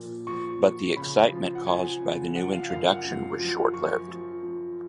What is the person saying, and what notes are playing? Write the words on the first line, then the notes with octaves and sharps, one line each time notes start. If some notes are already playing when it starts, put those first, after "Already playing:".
But the excitement caused by the new introduction was short-lived.
Already playing: A#2 F3
F3 C#6
F3
C#3 B5
F3
F#5
F3 G#5
C#3
F3 F#5
F5
F#2 F5
F#5
F#2
F3
F3 C#6
F3
F3